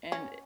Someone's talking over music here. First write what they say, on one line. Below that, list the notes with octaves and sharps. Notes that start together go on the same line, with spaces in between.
And, eh,
C#4